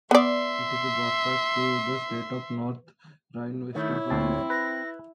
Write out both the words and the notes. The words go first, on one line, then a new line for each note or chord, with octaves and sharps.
It is broadcasted throughout the state of North Rhine-Westphalia.
B3 D5 E5 C6
D#3 A3 E4 C#5
D2 C4 A5
B4 A#6